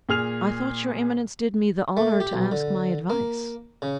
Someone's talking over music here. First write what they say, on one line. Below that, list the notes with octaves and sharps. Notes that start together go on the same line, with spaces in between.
"I thought your eminence did me the honor to ask my advice?"
A#2 G#4 F6 F7
A3
G4
B1
D3
A#3
C#3